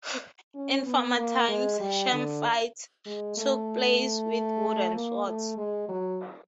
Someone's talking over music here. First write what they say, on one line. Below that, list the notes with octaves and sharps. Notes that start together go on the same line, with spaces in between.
In former times, sham fights took place with wooden swords.
C#4
B3
A#3
G#3
G3
D3
G#3
A3
A#3
A3
G#3
F#3